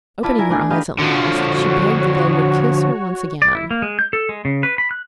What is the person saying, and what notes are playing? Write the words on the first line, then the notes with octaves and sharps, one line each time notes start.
Opening her eyes at last, she begged that they would kiss her once again.
E4 F4 B4 D5 A5 B5
E4 A#4 G#5
A3 B3 D4 E4 G#5
G4 G#4 A#4 B4 D#5 F5
D3 F3 F#4 C#5
D5
E4
A#3
G#3
G6
A4
G#3
C#3
B4
B5
F#6